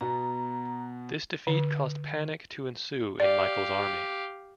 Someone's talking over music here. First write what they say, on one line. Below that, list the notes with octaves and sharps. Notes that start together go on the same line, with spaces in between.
This defeat caused panic to ensue in Michael's army.
B2 B3 F#4 A#5
D3
G4 D5 F5